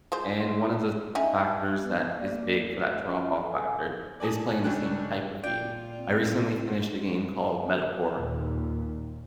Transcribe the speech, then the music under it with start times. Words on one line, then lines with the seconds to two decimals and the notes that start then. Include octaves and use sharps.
and one of the factors that is big for that drop-off factor is playing the same type of game. I recently finished a game called Metaphor,
0.12 G#3 F4 C5
1.15 C#4 D#4 D#5 E5 G#5
1.83 B3
2.17 A#3 D5
2.72 A1 D2
3.07 C#4 F4
3.44 A4 B4 F5 G#5
4.20 D5 G#5 A5 D#6
4.64 C#2 C#4 D4 G5 F#6
5.44 A#2 F4 D5 G5
5.99 C4
8.14 D#2 A#2